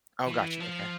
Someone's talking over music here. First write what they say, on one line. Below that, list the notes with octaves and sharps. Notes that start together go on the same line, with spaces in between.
Oh, gotcha, okay.
E3
F3